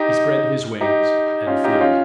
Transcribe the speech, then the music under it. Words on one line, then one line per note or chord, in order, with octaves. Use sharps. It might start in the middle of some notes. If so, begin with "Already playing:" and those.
He spread his wings and flew.
Already playing: D#4 G4
D#4 G4
C#4 F4
D#4 G4
C#4 F4